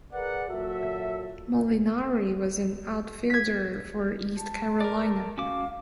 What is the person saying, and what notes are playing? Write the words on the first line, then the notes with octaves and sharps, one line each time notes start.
Molinari was an outfielder for East Carolina.
G#4 A#4 B4 D5 F#5
A#2 F#3 F#4 A4 E5
G#6 B6
A5
A#4 D5
C#4 F#4 F5 D6